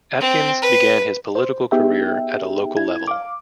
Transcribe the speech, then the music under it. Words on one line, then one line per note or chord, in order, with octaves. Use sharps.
Atkins began his political career at a local level.
C4
B4
C5
B3 D#4 G4 G#4 E5 G5
E4 G#6
F5 D6